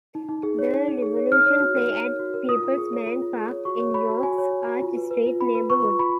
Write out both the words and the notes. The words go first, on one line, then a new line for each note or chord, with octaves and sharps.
The Revolution play at PeoplesBank Park in York's Arch Street neighborhood.
D#4
D#4
G#4
C#5
D#4
D#4
G#4
C#5
D#4 F6
C#5
F#4
A#4
D#4
C#5
F#4
A#4
F4 D#6
F4
G#4
C#5
F4
F4
G#4
C#5
F#4 C#6
C#5
C#5 B5
F#4
F#4 G#5
C#5
C#5
F#4
F4
B4
B4
F4
F4 B5
B4
B4 C#6
F4
F4 B5